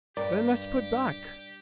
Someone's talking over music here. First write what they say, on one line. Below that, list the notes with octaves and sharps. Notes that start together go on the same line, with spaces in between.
"Then let's put back."
G2 G4 A#4 D5